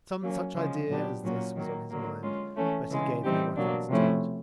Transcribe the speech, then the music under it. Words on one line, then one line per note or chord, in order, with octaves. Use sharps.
Some such idea as this was on his mind, but he gave no utterance to it.
F#3 A#3 C#4
C#3 F3 G#3
A#2 F#3 B3 D4 G4
A#2 F#3 A#3 C#4 F#4
D#3 F#3 A#3
D3 F#3 A#3
G#3 C#4 F4
E3 A3 C#4
C#3 E3 G#3
E3 G3 C4 D#4 G4
B2 F#3 A#3 D4
C3 F3 A3 C#4 E4